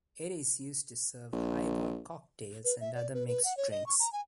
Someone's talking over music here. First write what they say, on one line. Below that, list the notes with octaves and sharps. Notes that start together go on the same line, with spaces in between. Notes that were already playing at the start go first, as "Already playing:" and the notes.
It is used to serve highball cocktails and other mixed drinks.
A#1
B4
E5
D5
B4
B4
F#5
C#5
D#5
C#6
A#5
G#5